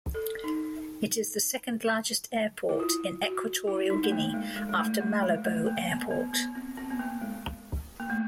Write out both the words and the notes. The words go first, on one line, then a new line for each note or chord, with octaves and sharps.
It is the second largest airport in Equatorial Guinea, after Malabo Airport.
A4
D#4
E4
F4
F#4
E4
D#4
A3
A#3
G#3
G#3
G#3
A3
A3
G#3
A3
A#3
B3
B3
B3
C4
C4
B3
A#3
G#3
A#3
A3